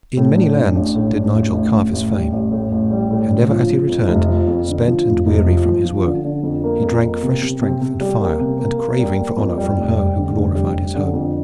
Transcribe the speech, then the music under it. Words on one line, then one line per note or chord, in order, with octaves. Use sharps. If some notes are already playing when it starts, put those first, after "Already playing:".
In many lands did Nigel carve his fame, and ever as he returned spent and weary from his work he drank fresh strength and fire and craving for honor from her who glorified his home.
A2
D4
D4
A1
A2
D4
A1
A1
A1
A1
G3
A1
A2
A1
G3
A2
D3
F3
F3
F2
F1
F3
F2
D3
F3
F1
F1
F3
F3
F3
D3
D3
F2
A#3
F2
A#3
C3
C3
C3
C3
G3
A#3
C3
A#3
A#3
G3
A#3
F2
G3
F1
G3
D3
F1
G3
G3
D3
F2